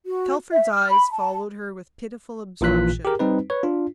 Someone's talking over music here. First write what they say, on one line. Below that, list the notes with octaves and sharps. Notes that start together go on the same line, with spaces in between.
Telford's eyes followed her with pitiful absorption.
F#4
E5
F6
B5
A5
A#1 A#2 E3 F4 F#6 B6
G4 G#4 A#4
G3 C4 D#4 B4
B4 C#5
D4 F4